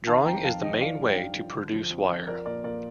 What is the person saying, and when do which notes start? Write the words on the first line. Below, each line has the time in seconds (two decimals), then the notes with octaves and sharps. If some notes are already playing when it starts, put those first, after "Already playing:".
Drawing is the main way to produce wire.
0.07 D#3 F5 A5
0.25 F2 G5 A#5
0.37 G5
0.44 F2 F5 A5
0.62 D#3 D#5 G5
0.81 F3 D5 F5
0.99 G2
1.10 G5
1.17 G2 D5 F5
1.36 F3
1.54 D3
1.73 F3
1.90 F2
2.09 F2
2.27 F3 A#4 D5
2.46 A#2 A#4 D5
2.64 A#2 A#4 D5